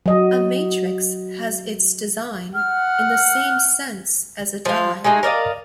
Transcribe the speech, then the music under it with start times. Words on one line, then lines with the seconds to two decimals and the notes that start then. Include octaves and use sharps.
A matrix has its design in the same sense as a die.
0.06 F#3 D#5
2.55 F#5 F6
4.66 F3 F5
5.04 G#3 A3 D#4 G#4
5.23 A#4 D5 D#5 F5